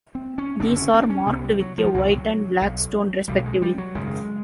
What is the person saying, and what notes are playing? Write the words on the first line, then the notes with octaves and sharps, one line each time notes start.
These are marked with a white and black stone respectively.
C4
C#4
F#1 F#2 D3 D4
C4
C#4
C4
D4
C#4
C2 C3 B3
G3
F#3
F3
C2 C3 F#3
B1 B2
B1 B2 G3
G#3
G3
F#3
G#1 F#2 C#3 G#3